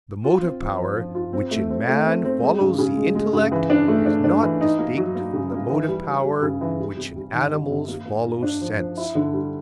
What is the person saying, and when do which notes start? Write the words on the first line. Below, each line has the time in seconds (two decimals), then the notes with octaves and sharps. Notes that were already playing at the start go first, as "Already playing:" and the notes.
But the motive power which in man follows the intellect is not distinct from the motive power which in animals follows sense.
0.24 F4
0.42 C4
0.60 F3
0.79 F3
0.96 F3
1.15 F4
1.33 C4
1.51 A3
1.70 C4
1.88 A3
2.05 C4
2.25 C4
2.42 G#3
2.60 C#3
2.78 C#3
2.97 G#3
3.15 G#3
3.33 C#3
3.52 E3
3.70 D4
3.88 A3
4.06 D4
4.24 D4
4.42 E3
4.61 D#4
4.79 A#3
4.97 F#3
5.15 A#3
5.33 C#3
5.52 A#3
5.70 E3
5.88 G3
6.06 G3
6.24 G3
6.42 C#3
6.61 E3
6.79 G3
6.97 C3
7.16 G3
7.33 D#3
7.52 G3
7.70 C3
7.88 A#3
8.06 A#3
8.24 A#3
8.43 D4
8.61 F3
8.79 F3
8.97 E4
9.15 D3
9.33 G3